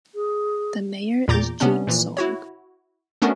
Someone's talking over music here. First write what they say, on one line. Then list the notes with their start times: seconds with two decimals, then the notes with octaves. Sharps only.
The mayor is Jeanne Sorg.
0.15 G#4
1.28 E2 A#2 A#5 D6 G6 A6
1.60 C3 B3 C#4 D4
1.87 A#2 E3 F3
2.17 E4 F#4 C#5
3.22 A3 B3 C#4 D4 F#4 A#4